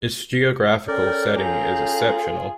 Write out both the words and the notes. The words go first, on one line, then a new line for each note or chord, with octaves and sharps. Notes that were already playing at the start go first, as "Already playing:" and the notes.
Its geographical setting is exceptional.
C#4 A4 A#4 D5 G5
F4 G#4 A#5